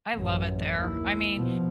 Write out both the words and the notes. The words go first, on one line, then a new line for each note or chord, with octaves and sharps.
I love it there, I mean
A1 F#2
D#2 E4
B2 F3